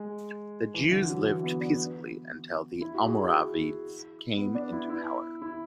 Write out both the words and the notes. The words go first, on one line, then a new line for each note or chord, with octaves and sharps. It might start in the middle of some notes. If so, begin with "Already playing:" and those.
The Jews lived peaceably until the Almoravides came into power.
Already playing: G#3
E3
D3
F#3
E3
B3
D4
E4
F#4
G#4
E4
B3
D4
E4
E4
E4